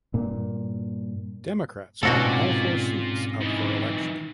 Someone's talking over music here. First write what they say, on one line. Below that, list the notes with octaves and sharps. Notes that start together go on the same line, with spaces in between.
Democrats won all four seats up for election.
G2 A#2
G#2 B2 C4 C#4 F4 F#4 A4 D5
D#3 E3